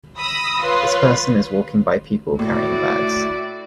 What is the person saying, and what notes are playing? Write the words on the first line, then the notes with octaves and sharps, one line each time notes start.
This person is walking by people carrying bags.
B5 D#6 E6 A#6
F4 B4 C#5 C6
A2 E4 F#4 D5